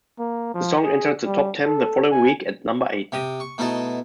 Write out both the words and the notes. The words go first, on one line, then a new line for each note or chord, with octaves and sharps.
The song entered the top ten the following week at number eight.
A#3
F3
G#4
G3
A4
G#5
C3 G5 D#6
C#6
B2 A3 D#4 E4 D#5 A5